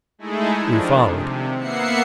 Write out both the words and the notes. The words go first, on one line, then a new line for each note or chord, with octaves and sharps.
We followed.
G#3 A3 D#4 E4 G#4 A4
D#3 F3 D4
C3
A#3 B3 E5 F#5 C7 C#7